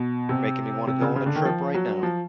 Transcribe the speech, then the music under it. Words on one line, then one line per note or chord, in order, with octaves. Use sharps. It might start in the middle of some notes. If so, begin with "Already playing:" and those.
You're making me wanna go on a trip right now.
Already playing: B2
C3
C3
C#3
C#3
D3
D#3
F3
F#3
F3